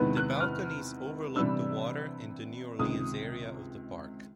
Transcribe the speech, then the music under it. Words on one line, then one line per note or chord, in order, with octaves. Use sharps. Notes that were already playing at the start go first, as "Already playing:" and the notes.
The balconies overlook the water in the New Orleans area of the park.
Already playing: E2 C3 D#3 G#3 B3
F#6
F6
C3 E3 G3 B3 D4 E6
C#2 C3 D#3 G#3 D#6